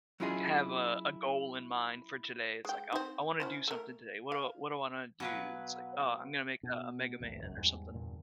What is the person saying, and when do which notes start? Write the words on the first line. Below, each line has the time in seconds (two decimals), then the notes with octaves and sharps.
have a a goal in mind for today." It's like, "I w I wanna do something today, what do what do I wanna do?" It's like, "Oh, I'm gonna make a a Mega Man or something."
0.20 F#3 C#4 E4 F4 G#4 D#5
2.65 G#3 G5
2.92 C4 D#4
3.40 C#4 E4 C5
3.68 A3 A#4
4.32 F5
5.20 B2 F#3 B4 F5 F#5
6.63 B2
7.20 A1 D2 G2
7.40 G1 C#2 F#2
7.57 E2 G#2 G3
7.94 E2 G2 A#2 D3